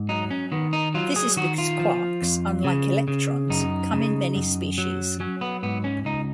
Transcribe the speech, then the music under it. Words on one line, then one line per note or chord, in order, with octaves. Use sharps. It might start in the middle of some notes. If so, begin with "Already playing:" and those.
This is because quarks, unlike electrons, come in many species.
Already playing: G#2
F#3 D#4
C#4
D#3 B3
D#4
F#3 F4
G#4
D#3 F#4
F4
F3
F2
C#3
C#3
F#2 D#4
C#3
F#2
F#3
F#3 C#4
B3
G#2 B3
C#4
C#2 D#4